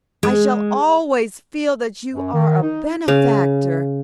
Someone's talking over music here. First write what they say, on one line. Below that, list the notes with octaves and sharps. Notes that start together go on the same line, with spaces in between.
I shall always feel that you are a benefactor.
G#3
F#2
D#3
D#4
C#3 F5